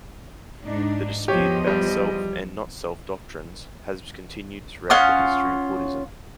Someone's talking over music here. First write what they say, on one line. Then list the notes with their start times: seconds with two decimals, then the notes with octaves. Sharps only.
The dispute about "self" and "not-self" doctrines has continued throughout the history of Buddhism.
0.64 G#2 D4 D#4
1.28 E2 F3 G4 C#5 D#5
1.67 G3
4.90 C#4 F4 F#5 D#6